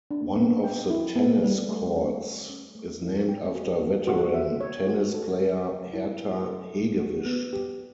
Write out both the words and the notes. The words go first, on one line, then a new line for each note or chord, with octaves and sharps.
One of the tennis courts is named after veteran tennis player Herta Hegewisch.
D4
B3
G5
E4
B3
G3
A3
C#4
C#5
C#4
A3
E4
G5
F#4
F#4
F#4
E5
C#5
F#4
A4
C#4
G5
E4
E4
A4
A4
F#4
B3
G4